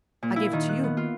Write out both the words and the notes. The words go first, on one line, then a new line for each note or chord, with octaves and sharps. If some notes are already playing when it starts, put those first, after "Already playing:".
I gave it to you.
A#2
E4
D#3
F#6
B3
F4